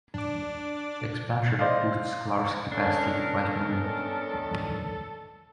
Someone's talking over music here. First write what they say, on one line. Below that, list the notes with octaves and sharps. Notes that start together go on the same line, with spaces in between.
The expansion boosts Clark's capacity to five million.
D4 D6
C5 D5 D#5 F5
D#3 B3 C#4 D4 A4 A#4